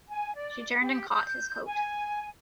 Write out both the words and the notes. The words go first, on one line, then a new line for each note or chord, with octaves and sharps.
She turned and caught his coat.
G#5
D5
G4
G6
G#5